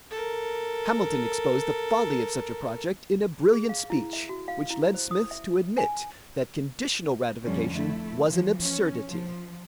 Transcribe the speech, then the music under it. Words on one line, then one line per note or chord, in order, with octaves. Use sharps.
Hamilton exposed the folly of such a project in a brilliant speech, which led Smith to admit that conditional ratification was an absurdity.
A4 A#4
G#4
F5
E4
E5
F#4
F5
E4
C5
D#6
E5
G#5
F2 D3 G3 C#4
A3 E4
E3 F3
C#4
F3